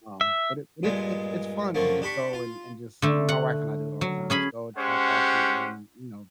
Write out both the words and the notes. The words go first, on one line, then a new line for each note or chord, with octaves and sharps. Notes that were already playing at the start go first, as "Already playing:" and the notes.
um, but it but it's it's it's fun to just go and and just my wife and I do it all the time, just go and try coffee and, you know,
E5
G2 A#2 G#3
F#2 F3 A3 A#3
D4 G4 B5 C#6
F4
D3 A3
F#5
F#3
C#4 G#4 B5
G#3 C#4 G4 C5 F#5